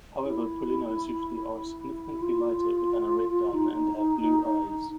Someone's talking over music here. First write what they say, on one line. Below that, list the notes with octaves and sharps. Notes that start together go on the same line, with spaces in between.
However, perlinos usually are significantly lighter than a red dun and have blue eyes.
E4
F4
D#4